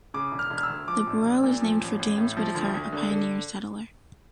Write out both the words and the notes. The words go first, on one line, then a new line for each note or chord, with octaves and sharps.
The borough is named for James Whitaker, a pioneer settler.
C#3 D6
E1
F6
E1
F6
E6
D2
F3 D6
A#1
A#1
A#2
F3
A1
A1
A2
F3
D2
D2
D3
D3